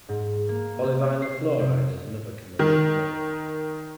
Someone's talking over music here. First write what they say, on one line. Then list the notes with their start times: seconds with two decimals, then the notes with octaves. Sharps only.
Polyvinyl fluoride is another commercial product.
0.09 G#2
0.48 A#3
0.83 C3
1.03 C#5
1.22 C7
1.59 C3
2.59 D#3